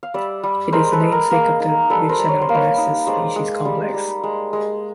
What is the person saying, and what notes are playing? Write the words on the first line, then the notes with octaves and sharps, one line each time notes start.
It is the namesake of the "Vicia narbonensis" species complex.
F5
G3 D5 E5
G3
G#3 A#4 C5
A4 B4
G#3
G#4 A#4
A#3 G#4 A#4
D#4
G3 A4 B4
A#4 C5
G3
C#5
C5
A#3
B4 C#5
D#4
G#3 C5 D5
G#3
G3
G3
G#3
G#3